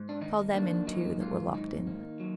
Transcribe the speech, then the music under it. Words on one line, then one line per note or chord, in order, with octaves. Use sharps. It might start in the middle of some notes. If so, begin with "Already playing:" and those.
Call them in, too, that were locked in....
Already playing: G#2
D4
D#3 D#4
A#3 D4
F#3 D#4
G#2 F4
D#3 D#4
A#3
F#3